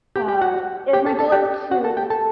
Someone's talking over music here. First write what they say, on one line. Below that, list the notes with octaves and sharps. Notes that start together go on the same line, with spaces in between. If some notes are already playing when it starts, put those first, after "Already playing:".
uh, if my goal is to
G4 G5
G4 G5
F#4 F#5
G4 G5
A4 A5
A4 A5
G4 G5
F#4 F#5
A4 A5
G4 G5
A4 A5